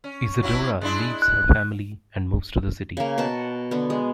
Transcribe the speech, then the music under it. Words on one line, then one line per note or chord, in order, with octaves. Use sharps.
Isadora leaves her family and moves to the city.
C#4
F#3 C#4 E4
G#3 D4 E4
F#6
C#3 A#3
B2 F#4 F#5 A5
D3 B3
G#3